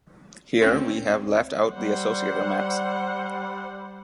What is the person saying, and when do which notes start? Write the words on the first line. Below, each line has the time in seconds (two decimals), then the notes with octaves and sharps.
Here we have left out the associator maps.
0.61 D2 C4 C#4
1.73 G3 C5 F#5